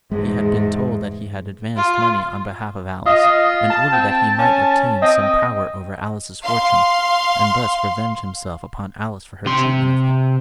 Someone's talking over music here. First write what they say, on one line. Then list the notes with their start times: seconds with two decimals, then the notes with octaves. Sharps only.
He had been told that he had advanced money on behalf of Alice, in order that he might obtain some power over Alice's fortune, and thus revenge himself upon Alice for her treatment of him.
0.11 E2 G#2 G#3
1.77 F4
3.06 F4 D#5
3.70 A5
3.92 C4
4.39 C#4
5.02 C4 D#5
6.44 F5 C6
9.46 C3 C6